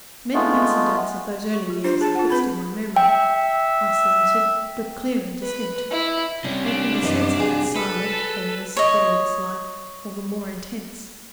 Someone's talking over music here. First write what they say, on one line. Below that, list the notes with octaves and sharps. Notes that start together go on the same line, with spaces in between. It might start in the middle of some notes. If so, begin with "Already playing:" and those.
Many incidents of those early years are fixed in my memory, isolated, but clear and distinct, making the sense of that silent, aimless, dayless life all the more intense.
G#3 A3 B3 F4
C#6
F4 G4
D4 F4 C5
G#4 A5
F4 F#5
C4 B4 B5
E5 G5
B4
E4
C3 G3 C#4
D4
F#2 E3 D#5
F#4 G#4
A4 B4
C#5 D#5